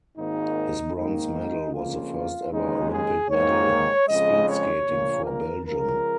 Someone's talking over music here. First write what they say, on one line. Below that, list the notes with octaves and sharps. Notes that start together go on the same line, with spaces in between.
His bronze medal was the first ever Olympic medal in speed skating for Belgium.
G#1 G#2 D#3 A#3 D#4
G#2 D#3 A#3 D#4
F2 C#3 A#3 F4
D#2 C#3 G#3 D#4
G#4
G#2 D#3 A#3 C#5
F2 C#3 G#3 D#5
C#5
A#1 A#2 A#3
A#4
C#2 C#3 F3 A#4